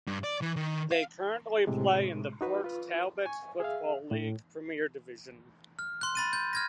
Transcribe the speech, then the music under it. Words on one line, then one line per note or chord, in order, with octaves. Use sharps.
They currently play in the Port Talbot Football League Premier Division.
G2
D5
E3
D#3
F5
A2 C3 G#3
D#4 F#4 B4
F4 B4
G#5 C#6
G#4 E5 F5
A2
F6
C6 F#6
B5 A6 D#7
G6
F6 G#6 A#6